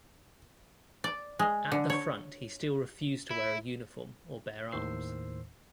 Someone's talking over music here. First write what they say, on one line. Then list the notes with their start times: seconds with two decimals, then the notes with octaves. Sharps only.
At the front he still refused to wear a uniform or bear arms.
1.04 D5
1.39 G#3
1.72 D3
1.90 C#5
3.31 E4
4.72 D#2 A2 D#3 C5 E6 C7